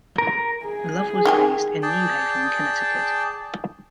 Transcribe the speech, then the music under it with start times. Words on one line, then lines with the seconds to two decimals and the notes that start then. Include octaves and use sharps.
Love was raised in New Haven, Connecticut.
0.18 A#4
0.66 G#4
1.25 D#3 G4 G#5
1.83 G#4 D5 G5 A5